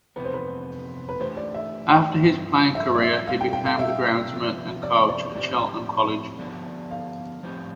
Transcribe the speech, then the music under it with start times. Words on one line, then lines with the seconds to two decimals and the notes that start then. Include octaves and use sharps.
After his playing career he became the groundsman and coach at Cheltenham College.
0.16 F2 C3 E3 B3 B4
0.25 C5
0.34 B4
1.09 B4
1.20 E3 A3 D4 G4 C5
1.37 D5
1.54 E5
2.23 G2 F3 C4
2.75 E5
2.95 D5
3.02 E5
3.27 B2 G3 C4 F4 F5
3.41 G5
3.53 G5
3.66 F5
3.79 E5
4.31 C3 F3 B3
4.83 D5
5.09 D5
5.35 A2 F3 C4 E4 G4 D5
6.39 D3 F3 B3 D4 G4
6.91 F5
7.43 A2 F3 C4 E4 G4